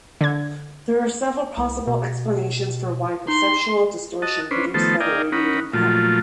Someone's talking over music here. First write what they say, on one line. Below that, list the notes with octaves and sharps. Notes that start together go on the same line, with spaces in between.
There are several possible explanations for why perceptual distortion produced by the radiating pattern.
D3 G#6
C2
B2
D#4 C6
F#4 D#5 A5
C#4 D4 B4 C5
D#3 F3 A3 B3 A4 C5
D5 D#5 F5 G5 G#5 A#5
C#4 D#4 A#4 F#5 B5
A#2 F3 F#3 A3 F4